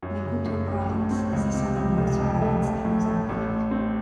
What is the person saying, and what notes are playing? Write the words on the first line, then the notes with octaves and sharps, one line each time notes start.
Maputo Province is the southernmost province of Mozambique.
F#2
C#3
F#2
A1
A2
C4
C#2
C3
C#2
F1
F2
A3
A1
A2
A3
A1
A2
C4